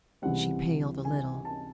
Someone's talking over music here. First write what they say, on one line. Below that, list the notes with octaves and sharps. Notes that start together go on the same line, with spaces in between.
She paled a little.
C#2 C3 E3 G3 C4 F#5
G#5
A5